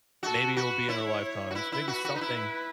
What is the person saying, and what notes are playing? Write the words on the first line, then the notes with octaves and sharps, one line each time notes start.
Maybe it will be in our lifetimes. Maybe something,
F#4 A4
F#4 B4
E4 C#5
F#4
E4 B4
E4
F#4
F#4
D#4
E4